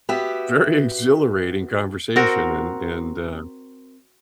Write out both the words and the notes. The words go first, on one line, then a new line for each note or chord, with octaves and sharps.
very, exhilarating conversation and and, uh,
B3 F#4 G4 E5
C4 F#4 A#4